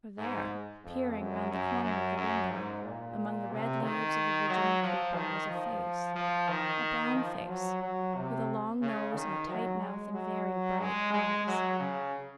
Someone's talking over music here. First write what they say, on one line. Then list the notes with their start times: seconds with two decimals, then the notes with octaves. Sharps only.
For there, peering round the corner of the window, among the red leaves of the Virginia creeper, was a face - a brown face, with a long nose and a tight mouth and very bright eyes.
0.18 G#2
0.84 F2
1.18 F#2
1.51 F#2
1.84 F#2
2.17 F#2
2.51 G#2
2.84 A#2
3.51 C3
3.83 D#3
4.50 F#3
4.83 F3
5.16 D#3
5.49 F3
6.15 F3
6.49 D#3
7.15 F3
7.48 F#3
7.82 F#3
8.15 C3
8.81 C#3
9.15 D#3
9.48 F#3
9.81 G#3
10.14 F#3
10.80 G#3
11.14 G#3
11.47 F#3
11.79 C#3